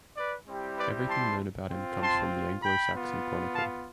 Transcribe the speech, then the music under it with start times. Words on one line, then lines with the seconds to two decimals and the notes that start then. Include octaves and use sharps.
Everything known about him comes from the "Anglo-Saxon Chronicle".
0.17 B4 D5
0.48 G3 C4 E4 G4
0.78 B4 D5
1.09 A5 C6
1.71 C4 F4
2.01 A5 C6
2.63 G5 B5
2.94 B3 F4
3.55 F5 A5